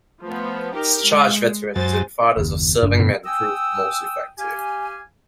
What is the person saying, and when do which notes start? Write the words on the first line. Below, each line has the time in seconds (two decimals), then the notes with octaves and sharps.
Discharged veterans and fathers of serving men proved most effective.
0.22 F3 A3 B3
0.74 D#4 G4 A#4
1.04 G#3
1.76 F#2 C5 G#5 A6
2.37 F#1 D#2
2.83 F#1 G2
2.99 B2 D3
3.25 G5 G#5 D#6 E6
4.38 G4 F5 G#5